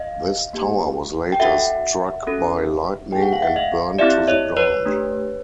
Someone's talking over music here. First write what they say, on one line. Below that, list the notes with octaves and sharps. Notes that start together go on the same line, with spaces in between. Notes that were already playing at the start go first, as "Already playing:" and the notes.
This tower was later struck by lightning and burned to the ground.
Already playing: D#5 F5
A#3 D#4 G4
G5
D4 F#4 A4 E5 F#5
C#4 F#4 A4
A#3 D#4 G#4 G5
F#5
F5
E5 F#5
D#5 F5
C4 E4 G4 D5 E5
C#5 D#5
B4 C#5
A3 D4 G4